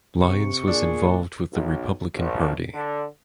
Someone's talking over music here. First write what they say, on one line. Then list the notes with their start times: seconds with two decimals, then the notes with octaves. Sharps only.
Lyons was involved with the Republican Party.
0.21 C3 C#6
0.67 A#2 D4 G#4
1.52 B1
2.16 A#1
2.74 D3